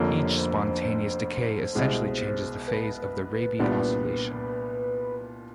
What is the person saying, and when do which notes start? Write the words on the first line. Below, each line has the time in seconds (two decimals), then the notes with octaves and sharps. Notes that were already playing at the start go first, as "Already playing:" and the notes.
Each spontaneous decay essentially changes the phase of the Rabi oscillation.
Already playing: F1 F2 D3 F3 A#3 C#5
0.37 C5
0.83 C5
1.75 C2 B2 G#3
2.67 B4
3.59 C2 A#2 G3 B3 D4